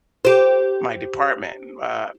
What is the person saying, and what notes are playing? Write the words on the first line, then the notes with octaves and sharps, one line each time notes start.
my department, uh
G4 C5